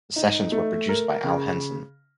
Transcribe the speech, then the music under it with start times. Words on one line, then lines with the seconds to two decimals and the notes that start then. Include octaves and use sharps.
The sessions were produced by Al Henson.
0.16 D#4
0.52 A3
0.89 A#4
1.24 C#3